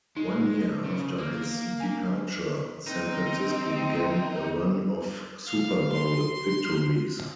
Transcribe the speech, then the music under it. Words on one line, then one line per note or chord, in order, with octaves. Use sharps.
One year after his departure, San Francisco began a run of Super Bowl victories.
G#3 D#4
C#3 C#4
A#3
D4 G#5
C4 D#4
F5
C6